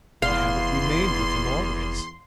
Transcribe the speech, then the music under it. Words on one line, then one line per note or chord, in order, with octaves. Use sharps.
The habit remained with him always.
F1 E2 F5 C6